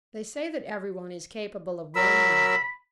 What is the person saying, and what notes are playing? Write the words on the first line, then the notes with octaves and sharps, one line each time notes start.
They say that everyone is capable of one novel.
F#3 A#4 B5 E6